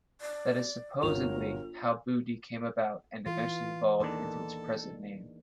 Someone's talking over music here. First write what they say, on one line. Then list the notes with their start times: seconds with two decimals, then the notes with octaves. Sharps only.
That is supposedly how "Boo-dee" came about and eventually evolved into its present name.
0.21 D5
1.03 G1 F#3 F4 A#4 F7
3.26 E3 F4
4.00 E2 D#3 A#3 D4 A4